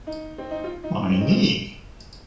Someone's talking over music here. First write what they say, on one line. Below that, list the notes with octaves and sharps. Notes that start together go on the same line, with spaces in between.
My knee.
D#4
C4
D#4
F4
D#4
C#4
C4
D#4
F4